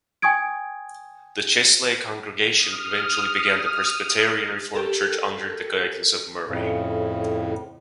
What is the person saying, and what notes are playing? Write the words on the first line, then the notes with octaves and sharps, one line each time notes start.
The Chesley congregation eventually began the Presbyterian Reformed Church under the guidance of Murray.
G5 G#5 C#6 D#6 G#6 D7
D#6 F6
G4 A4 A#4
F2 A2 C#3